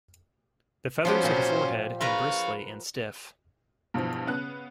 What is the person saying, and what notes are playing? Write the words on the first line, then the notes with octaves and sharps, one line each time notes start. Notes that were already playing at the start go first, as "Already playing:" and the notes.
The feathers of the forehead and bristly and stiff.
F3 F#3 B3 C#4 G4 C5
A#2 F3
A#4 B4 F5 A#5 C#6
G2 B2 E3 F3
C#3 B3 F#6